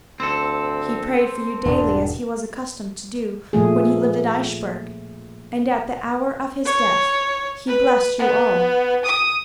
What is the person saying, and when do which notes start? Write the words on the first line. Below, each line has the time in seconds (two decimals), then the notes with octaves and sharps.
He prayed for you daily, as he was accustomed to do when he lived at Eichbourg, and at the hour of his death he blessed you all.
0.20 D2 C4 A4
1.65 E1 E2 G#2 D4
3.53 A#2 F3 A3 G#4
6.65 C#5
7.68 B4
8.19 B3
9.05 D#6